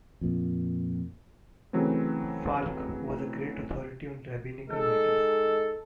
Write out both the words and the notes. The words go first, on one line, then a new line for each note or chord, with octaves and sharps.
Falk was a great authority on rabbinical matters.
F2 A#2
C#3 E3 F#3 A3 C4
G#3 D#4 A4